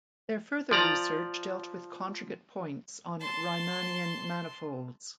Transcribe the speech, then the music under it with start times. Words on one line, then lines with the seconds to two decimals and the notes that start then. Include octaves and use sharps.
Their further research dealt with conjugate points on Riemannian manifolds.
0.71 F3 D5 A#5
3.21 A5 C6